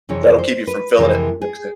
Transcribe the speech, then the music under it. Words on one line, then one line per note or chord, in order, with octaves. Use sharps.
That'll keep you from filling it. Mixed in.
F2 C3 E3 G#3 C#5
C5
B4
F2 C3 E3 G#3 A#4
G#4